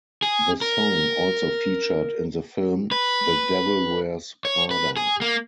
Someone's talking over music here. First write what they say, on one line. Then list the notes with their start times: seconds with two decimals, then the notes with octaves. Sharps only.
The song also featured in the film "The Devil Wears Prada".
0.22 G#4
0.61 A#4
2.92 B4
4.45 C#5
4.71 B4
4.97 G#4
5.21 A#3